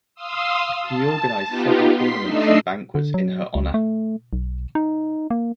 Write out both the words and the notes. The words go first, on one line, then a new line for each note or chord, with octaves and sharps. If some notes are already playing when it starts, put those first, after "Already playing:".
He organized several tournaments and banquets in her honor.
F5 C6 D#6 E6
A5
B3 D#4 F4 G4
C6 B6
A3 D4 D#4 D#5 E6 C7
D3
F#3
C#2
A3
B1
D#4
A#3